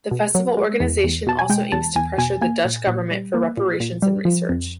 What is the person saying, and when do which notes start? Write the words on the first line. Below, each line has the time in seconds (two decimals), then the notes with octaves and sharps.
The festival organisation also aims to pressure the Dutch government for reparations and research.
0.11 B2
0.35 F#3
0.57 G#3
0.80 E2
1.04 E2
1.27 B2 A5
1.39 G#5
1.50 G#3 G5
1.72 E2 A5
1.96 E2 G#5
2.18 B2 G#5
2.41 A#3 G#5
2.65 A#2
2.87 A#2
3.11 G3
3.34 A#3
3.57 A#2
3.80 A#2
4.02 G3
4.25 F3
4.49 F2